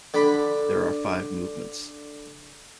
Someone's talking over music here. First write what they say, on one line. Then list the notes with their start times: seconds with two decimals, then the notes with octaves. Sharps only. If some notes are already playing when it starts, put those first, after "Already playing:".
There are five movements.
0.14 D3 B5